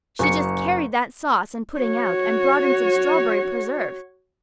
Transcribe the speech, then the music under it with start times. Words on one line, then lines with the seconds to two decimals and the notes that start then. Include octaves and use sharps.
She just carried that sauce and pudding out and brought in some strawberry preserves.
0.19 F#1 G#4 C#7
1.80 F#4 C#5